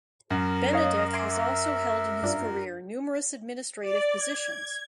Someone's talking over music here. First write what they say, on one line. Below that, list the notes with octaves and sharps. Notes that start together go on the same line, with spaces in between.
Benedek has also held in his career numerous administrative positions.
F#2 A#4
C#5 D#5 F5
E5 G#5 C6 D6
G2 D4 F4
D5
G#6